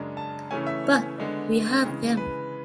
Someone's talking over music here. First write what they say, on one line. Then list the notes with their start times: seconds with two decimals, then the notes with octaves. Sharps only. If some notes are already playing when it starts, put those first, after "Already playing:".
But we have them!
Already playing: F#2 C#3 G#3 D4
0.17 A5
0.51 C#3 E3 A3 C#4 G#5
0.67 E5
0.84 C#5
1.18 D3 G#3 B3 D4
1.84 C#3 E3 G#3
2.17 B4